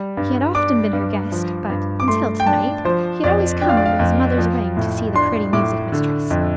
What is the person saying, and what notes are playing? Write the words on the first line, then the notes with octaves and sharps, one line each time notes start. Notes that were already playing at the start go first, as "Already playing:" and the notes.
He had often been her guest; but, until to-night, he had always come under his mother's wing to see the pretty music-mistress.
Already playing: G3
G2
D4 D6
G2
F3
G2
D6
A3 C6
G5
D4 A5
F3 C5
F2 D5
D4 G5
F5
D5
F5
F2
F3
A2
D4 C6
A2 D6
D3
F2